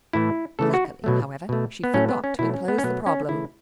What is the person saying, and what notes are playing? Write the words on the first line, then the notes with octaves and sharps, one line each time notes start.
Luckily, however, she forgot to enclose the problem.
A2 E3 A3 E4
C#3 E3 A3 A4
F#4
B2 F#3 A3
B2 A3
B3
A2 F#3 A3 C#4
B3
C#4
B2 F#3 A3 E4
C#4
B3
C#4
B2 F#3 A3 B3
C#4
C#3 E3 A3 E4